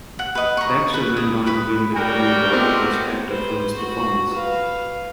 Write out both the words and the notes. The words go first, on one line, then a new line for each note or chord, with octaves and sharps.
Baxter went on to win the Academy Award for Best Actor for his performance.
F#5
B4 D#5
A#5 C#6
B4
D#6
B4 B5
G3 F#4 A#4 G5
A#2 G#3 A3 B3 C4 G4
B4 C5
F#4
B4 F5